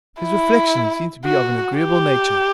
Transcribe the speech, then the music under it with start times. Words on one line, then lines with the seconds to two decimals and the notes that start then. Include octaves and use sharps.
His reflections seemed to be of an agreeable nature.
0.22 E4
1.26 F#4
1.78 G4